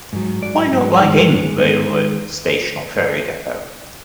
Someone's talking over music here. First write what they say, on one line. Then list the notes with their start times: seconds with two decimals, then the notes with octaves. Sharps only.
Why not like any railroad station or ferry depot.
0.13 G#2 F#3
0.41 G#2 F#3 D5
0.71 G#2 F#3
1.00 G#2 D#3 G#3 D#4
1.29 G#2 D#3 G#3 D4
1.58 G#2 D#3 G#3 B3
1.88 D#3 G#3